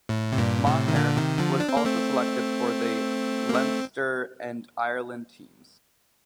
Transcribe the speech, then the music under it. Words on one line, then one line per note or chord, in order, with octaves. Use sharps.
Maher was also selected for the Leinster and Ireland teams.
A2
C3
G2 A#2
A2 C3
D#3
A#2 D3
C3 D#3
D3 F3
D4
C4
A#3
A3 C4
A#3
A3 C4